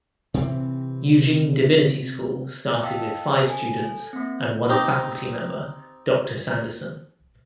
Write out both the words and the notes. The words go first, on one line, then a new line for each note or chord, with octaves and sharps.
Eugene Divinity School started with five students and one faculty member, Doctor Sanderson.
C3 E3 C4
D#5 F5 G5 A5 E6
A4 G#5
A#3 C4
C4 D#4 G4